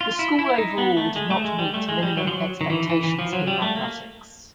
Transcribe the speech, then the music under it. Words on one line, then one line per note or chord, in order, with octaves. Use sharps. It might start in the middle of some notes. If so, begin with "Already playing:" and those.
The school overall did not meet minimum expectations in mathematics.
F4
E4
E4
D#4
B3
A3
G#3
A3
G#3
G3
A3
G#3
G3
F#3
F3
F#3
D#3
E3
E3
E3
F3
F#3
G3
A3
A#3